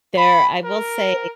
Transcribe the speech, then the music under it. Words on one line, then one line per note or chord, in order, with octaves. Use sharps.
There I will say
B5
A#4